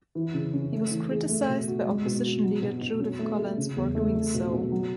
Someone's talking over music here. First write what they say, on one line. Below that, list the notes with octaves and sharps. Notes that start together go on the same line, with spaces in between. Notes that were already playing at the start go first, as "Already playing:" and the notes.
He was criticised by opposition leader Judith Collins for doing so.
E3
C#3
C#4
A3
E3
G#4
A3
B2
F#4
G#3
B2
F#4
F#3
B2
B2
C#4
A3
A3
C#3
E2
A3
A3
B2
B2
F#3